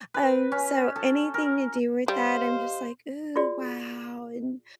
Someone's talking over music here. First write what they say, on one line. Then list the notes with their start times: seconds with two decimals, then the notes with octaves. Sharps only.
um, so anything to do with that, I'm just, like, "Ooh, wow," and
0.14 B4
0.52 C#4
0.96 A4
1.34 A#4
2.08 G3 G4 C5 D#5 F5
3.36 F4 F#4 G#4 D5